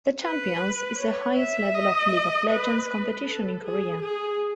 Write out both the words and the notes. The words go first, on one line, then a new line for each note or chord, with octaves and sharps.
The Champions is the highest level of "League of Legends" competition in Korea.
B4
C#5
E5
D#5
B4
B4
A4
G#4
G#4